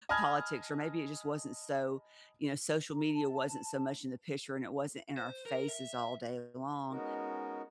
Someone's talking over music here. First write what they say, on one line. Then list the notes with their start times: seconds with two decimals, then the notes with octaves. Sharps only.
politics or maybe it just wasn't so you know, social media wasn't so much in the picture, and it wasn't in our faces all day long.
0.09 D#5 G#5 A5 B5 F6 G#6
2.93 A#5
3.14 A5
5.18 C5
5.46 A#4
5.68 E5
6.91 G#3 B3 C#4 D#4 F#4 A#4